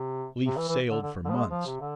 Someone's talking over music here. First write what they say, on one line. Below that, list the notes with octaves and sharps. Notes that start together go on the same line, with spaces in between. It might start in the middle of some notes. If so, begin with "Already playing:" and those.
Leif sailed for months.
Already playing: C3
C3
E3
E3
D3
D3
D3
F3
G#3
F3
C3
D3